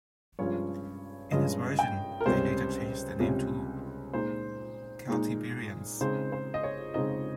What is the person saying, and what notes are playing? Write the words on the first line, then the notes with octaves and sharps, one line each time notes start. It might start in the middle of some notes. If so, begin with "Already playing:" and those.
In his version, they later changed their name to 'Celtiberians'.
G2 F3 G#3 C#4 F4 C#5
G2 F3 G#3 C#4 F4 D#5
G5
A#4
C#2 C3 G3 C#4 C5
C#2 C3 G3 C#4
A#2 G#3 D#4 C5
A#2 G#3 D#4
C#3 G#3 C4 D#4 C5
C5
D#5
C#5
C#3 G#3 C4 D#4 D#5